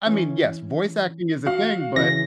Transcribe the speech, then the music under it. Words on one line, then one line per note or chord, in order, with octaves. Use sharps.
I mean, yes, voice acting is a thing, but
E3 C#4
F#4 F5
C#3 E3 A#6